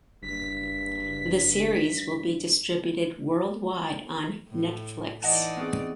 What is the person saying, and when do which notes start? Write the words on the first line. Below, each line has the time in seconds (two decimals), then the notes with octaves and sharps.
The series will be distributed worldwide on Netflix.
0.22 F#1 G2 B6
4.49 A2
5.23 E3 D#4 D5 D#5 F#5 A5
5.57 B3 C4 G#4